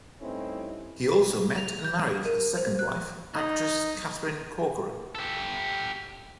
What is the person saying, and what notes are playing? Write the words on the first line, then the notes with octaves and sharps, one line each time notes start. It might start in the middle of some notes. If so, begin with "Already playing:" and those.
He also met and married his second wife, actress Katherine Corcoran.
G2 A3 C4 C#4 D#4 E4
F7
G6
A#4
C5
F#6
D#4
G4 A4